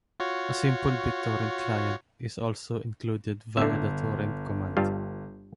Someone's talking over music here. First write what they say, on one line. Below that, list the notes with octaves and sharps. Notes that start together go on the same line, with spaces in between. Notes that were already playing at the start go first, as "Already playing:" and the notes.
A simple BitTorrent client is also included via the "torrent" command.
F4 F#4 C#5
G1 D3 E5
G2 G3 F4